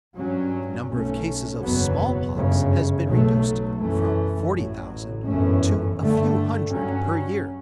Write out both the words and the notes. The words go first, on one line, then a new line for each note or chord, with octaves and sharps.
The number of cases of small-pox has been reduced from forty thousand to a few hundred per year.
G2 F#3 C#4
B1 B2 A3 C#4
F#1 E2 B2 F#3 B3
G1 F#2 C#3
B1 B2 F#3 A3
F#2 E3 A3 C#4
A1 A2 F#3
G1 F#2 E3 A3 C#4
G2 D3 A3
G2 F#3 C#4